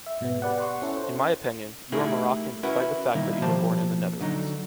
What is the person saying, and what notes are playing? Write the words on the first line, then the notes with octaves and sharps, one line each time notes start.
In my opinion, you are Moroccan despite the fact that you were born in the Netherlands.
E5
G#2 B2 G#3 B3
G4 B4 D5 F#5
F#5 C6 C#6
C#4 E4 A4
F#4 C5
A3 D#4 E4 G4 G#4 A#4
C#4 E4 F#4 A#4 B4 F#5
D#3 G3 A#3 D#4 E4
B2 F3 A#3 G4 C5 A5
D3 F#3 D#4